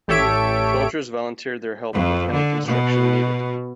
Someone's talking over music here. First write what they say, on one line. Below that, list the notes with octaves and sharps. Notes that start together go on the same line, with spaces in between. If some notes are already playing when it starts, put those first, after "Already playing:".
Soldiers volunteered their help with any construction needed.
A1 G4 A4 C#5 E5 D7
F2
D3
B2